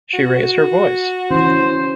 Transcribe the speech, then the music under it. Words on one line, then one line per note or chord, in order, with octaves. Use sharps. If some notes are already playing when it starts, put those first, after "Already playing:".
She raised her voice.
F#4
E3 C#4 E4 C5